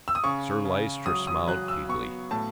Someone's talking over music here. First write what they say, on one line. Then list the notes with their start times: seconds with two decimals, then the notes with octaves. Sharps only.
Sir Lyster smiled feebly.
0.08 E6
0.15 D#6
0.24 C#3 C#6
0.65 C#3
1.06 F#3 D#6
1.27 D#6
1.47 F#3 F#6
1.68 E6
1.89 B3 C#6
2.31 A2 A5